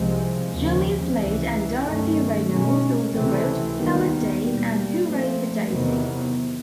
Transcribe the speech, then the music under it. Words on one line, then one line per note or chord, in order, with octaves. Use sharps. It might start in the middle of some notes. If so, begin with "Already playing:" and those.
Julian Slade and Dorothy Reynolds also wrote "Salad Days" and "Hooray for Daisy".
Already playing: C2 C3 F3 G#3
D#2 C#3 F3 G#3
C#2 C3 E3
G2 D#3 F#3 A3 C#4
B2 G#3 C#4
C#2 C3 E3 A3 C4
D#2 D#3 G3 B3
B2 G3 A#3
A#2 F3 A3 C4
E2 C3 D#3 F#3 B3